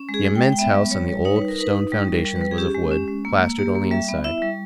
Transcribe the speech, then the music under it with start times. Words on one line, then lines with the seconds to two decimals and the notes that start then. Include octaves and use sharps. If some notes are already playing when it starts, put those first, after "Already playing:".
The immense house on the old stone foundations was of wood, plastered only inside.
Already playing: C#4
0.09 G#3
0.14 G#4
0.25 G#3
0.35 G5
0.42 G#3
0.53 G5
0.59 B3 E5
0.74 G3
0.91 G3 C#5
1.09 G3
1.25 D#4 C#5
1.36 B4
1.42 D#4
1.48 A#4
1.58 D#4 B4
1.75 D#4
1.92 G3
2.08 G3
2.14 A#4
2.25 G3
2.36 B4
2.41 G3
2.51 G#4
2.58 C#4 G4
2.74 G#3
2.91 C#4
3.08 G#3
3.25 A#3
3.42 A#3
3.59 A#3 G4
3.75 A#3
3.91 G3 E5
4.09 B3
4.24 E4 E5
4.42 G3